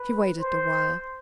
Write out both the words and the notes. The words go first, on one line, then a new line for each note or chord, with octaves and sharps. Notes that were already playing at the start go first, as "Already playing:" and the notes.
She waited a while.
Already playing: B4
C5